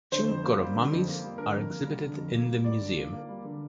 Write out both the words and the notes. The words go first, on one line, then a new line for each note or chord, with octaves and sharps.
Chinchorro mummies are exhibited in the museum.
D3 C5
F2
A#3
G3
D3
F2
A#3
G3
D3 A#4
F2
A#3
G3
D3
F2
A#3
G3
G3 D5
D3
F4
A#3
G3
D3